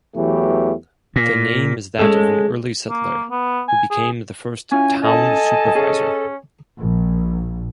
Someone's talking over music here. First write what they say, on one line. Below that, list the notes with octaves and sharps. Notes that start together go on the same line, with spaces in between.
The name is that of an early settler, who became the first Town Supervisor.
E2 E3 F#3 A3 G4
A#2
G#3 C#4 A4
A#3
B3
G#5
G#4
C#4 E4 F4 G#5
A4 D#5 G#5 A5
C#4 G#4
A#1